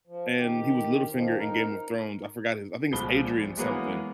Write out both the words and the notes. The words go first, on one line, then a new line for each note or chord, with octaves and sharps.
and he was Littlefinger in Game of Thrones, I forgot his I think it's Adrian-something,
F3
D#3 G4
F2 D#3 F3
D#4 A#4
C#2 B2 F3 G#3 B5 G7
A#1
E3 F#3 G#3 A#3 B3